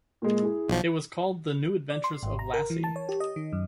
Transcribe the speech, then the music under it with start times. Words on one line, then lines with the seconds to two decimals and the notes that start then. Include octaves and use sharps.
It was called "The New Adventures of Lassie".
0.22 A#2 G#3
0.42 E4 G#4
0.69 B1 F3
1.90 D5
2.04 C6
2.23 G#1
2.39 A#5
2.54 A#4
2.70 E3
2.84 A5
2.96 C#5
3.09 G4
3.20 D#5
3.36 D#3
3.53 F#2